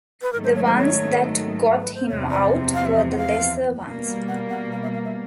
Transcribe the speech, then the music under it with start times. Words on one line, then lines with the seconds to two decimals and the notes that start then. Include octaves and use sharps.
The ones that got him out were the lesser ones.
0.22 B4
0.33 G#2 D#3 F#3 A3 A#4
0.44 C5
0.55 C#5
0.66 C5
0.77 C#5
1.80 B4
1.95 C5
2.08 E2 C3 F3 C#5
2.31 D5
2.74 F5
2.85 E5
2.96 D#5
3.13 F#5
3.18 F5
3.84 B2 G3 A#3
4.28 F#5
4.50 F#5
4.72 F5
4.83 E5
4.94 F5
5.05 E5